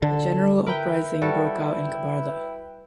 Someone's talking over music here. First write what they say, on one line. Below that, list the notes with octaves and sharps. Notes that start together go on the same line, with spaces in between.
A general uprising broke out in Kabarda.
D3 A4
E4 A#4 B4 G5
G3 F#4 A4